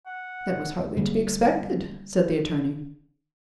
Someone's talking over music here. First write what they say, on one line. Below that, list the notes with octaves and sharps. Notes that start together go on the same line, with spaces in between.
"That was hardly to be expected," said the attorney.
F#5
D3 G3 A#3